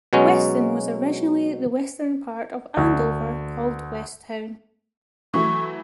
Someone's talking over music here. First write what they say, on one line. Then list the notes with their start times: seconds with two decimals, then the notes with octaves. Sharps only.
Weston was originally the western part of Andover called West Town.
0.13 B2 F#3 G#3 C#4
2.77 D2
5.34 E3 F#3 A3 C#6